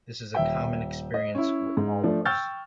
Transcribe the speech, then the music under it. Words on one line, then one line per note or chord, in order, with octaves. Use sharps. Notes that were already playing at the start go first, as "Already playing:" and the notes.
This is a common experience with all of us.
D#1 E5 G5
D#5
C#4 E4
G#2
F3 A3 D4
G5 C#6 E6 F6 G6 A6